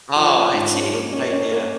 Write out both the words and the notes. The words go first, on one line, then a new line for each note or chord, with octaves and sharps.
Oh, I see, good idea.
F3
C#4
G#2
C#4
A#3
C#4
C#4
A#3